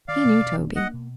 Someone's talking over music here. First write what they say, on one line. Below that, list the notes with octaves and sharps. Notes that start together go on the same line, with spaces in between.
He knew Toby.
D#3 D5 F5
B2
B2
D4
A#3 D#5 F#5
B2